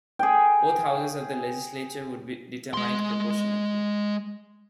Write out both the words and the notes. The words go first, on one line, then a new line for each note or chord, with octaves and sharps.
Both houses of the legislature would be determined proportionately.
G#4 G5
G#3 C6